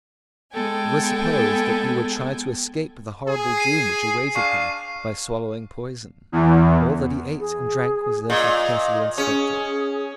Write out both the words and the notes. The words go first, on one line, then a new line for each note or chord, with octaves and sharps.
It was supposed that he would try to escape the horrible doom which awaited him by swallowing poison. All that he ate and drank was therefore carefully inspected.
G#3 B3 A4 G5 G#5
G#4
C7 D#7
D4 F5 C#6 C7
E2
G#4
A#2 D#5
C#4 G#4